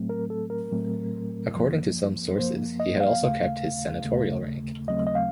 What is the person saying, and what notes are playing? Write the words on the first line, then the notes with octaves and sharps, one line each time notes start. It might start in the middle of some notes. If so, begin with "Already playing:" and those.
According to some sources, he had also kept his senatorial rank.
Already playing: A2 F#3 A3 C4
A#4
A4
A#4
A2 F#3 A3 C4
F#2 F3 A#3
F#2 F3 A#3 C5
D#5
F5
D#2 C#3 A3
D#2 C#3 A3
D#2 C#3 F#3 A3 C4 D#5
D#5
F5